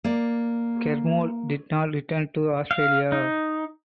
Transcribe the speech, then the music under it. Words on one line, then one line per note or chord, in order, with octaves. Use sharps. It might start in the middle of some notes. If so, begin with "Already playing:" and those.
Kermode did not return to Australia.
A#3 D5
F5
D#4